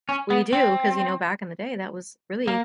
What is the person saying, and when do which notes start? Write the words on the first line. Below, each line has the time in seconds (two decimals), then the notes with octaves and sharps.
we do 'cause, you know, back in the day, that was really
0.09 C#4
0.30 B3
0.53 C4
2.47 A#3